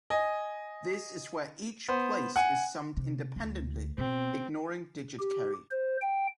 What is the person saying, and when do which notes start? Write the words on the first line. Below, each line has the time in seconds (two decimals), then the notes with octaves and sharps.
This is where each place is summed independently, ignoring digit carry.
0.10 D#5 G#5
1.88 B3 C5
2.36 F#5 G#5
2.97 C3
3.36 D2
3.98 B2 B3 C4
5.19 G4
5.70 C5
6.01 G5